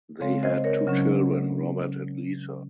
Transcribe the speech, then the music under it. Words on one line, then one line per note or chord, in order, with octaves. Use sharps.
They had two children, Robert and Lisa.
C#3 G#3 C4 C#5 F5
C5 D#5
A#4 C#5
C#3 F#3 C#4